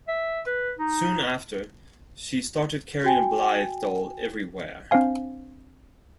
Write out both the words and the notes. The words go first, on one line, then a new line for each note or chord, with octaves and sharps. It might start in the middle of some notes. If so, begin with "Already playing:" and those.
Soon after, she started carrying a Blythe doll everywhere.
E5
B4
D#4
F#4 G5 G#5
C4 D4 C5 F5 G#5